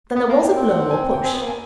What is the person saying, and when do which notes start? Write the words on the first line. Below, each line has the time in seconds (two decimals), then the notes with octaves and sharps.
'Then there was a blow or push?'
0.16 B3 F#5
0.29 A#3
0.43 G5
0.56 C4
0.70 F#5
0.91 G#5
0.97 G5
1.14 G5
1.24 C4 G#5
1.33 B3
1.42 A#3
1.47 G#5